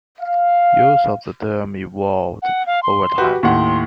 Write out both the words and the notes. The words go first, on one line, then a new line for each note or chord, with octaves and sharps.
Use of the term evolved over time.
F5
F#5
F5
C6
F#4 G4 B4
D#2 A2 F#5 C6